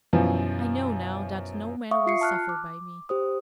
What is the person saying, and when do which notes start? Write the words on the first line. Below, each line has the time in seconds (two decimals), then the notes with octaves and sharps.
'I know now that no man will suffer by me.
0.13 F#2 B2 E3 F3
1.91 E5 F5 C#6 D#6
2.06 F4 C7 C#7
2.21 A5 F6 F#6
2.49 D6
3.09 G4 C5 D#6